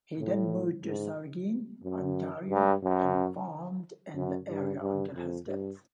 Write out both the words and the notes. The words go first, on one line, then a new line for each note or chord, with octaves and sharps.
He then moved to Saugeen, Ontario and farmed in the area until his death.
A2
G#2
F#2
G2
F#2
F#2
G2
G2
F2
G2